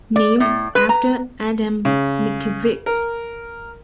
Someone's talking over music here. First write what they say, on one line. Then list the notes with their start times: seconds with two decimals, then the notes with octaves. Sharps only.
Named after Adam Mickiewicz.
0.16 D5
0.40 A2
0.75 B4
0.89 A#5
1.85 C#3
2.86 A#4